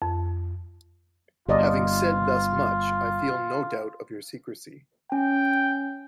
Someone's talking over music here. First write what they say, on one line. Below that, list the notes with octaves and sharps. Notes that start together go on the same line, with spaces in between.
Having said thus much, I feel no doubt of your secrecy.
F2
G1 F4 G4 D5 D#5
C#4 G5